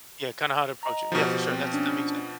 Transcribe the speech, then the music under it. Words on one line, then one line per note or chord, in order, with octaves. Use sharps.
Yeah, kinda how to approach it. Yeah, for sure, that's that makes sense.
D#5 A#5
B2 F3 F#4 G4 C5
C4
C#4 D4